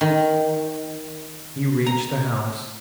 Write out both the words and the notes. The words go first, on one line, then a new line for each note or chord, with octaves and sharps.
He reached the house.
D#3
A#5